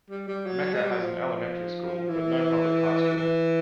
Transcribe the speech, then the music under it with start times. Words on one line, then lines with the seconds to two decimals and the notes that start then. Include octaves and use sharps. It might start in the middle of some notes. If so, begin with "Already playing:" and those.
Mecca has an elementary school, but no public high school.
0.10 G3
0.28 G3
0.46 F#3
0.73 G#3
0.83 G3
0.91 F#3
1.00 F3
2.08 E3
3.17 E3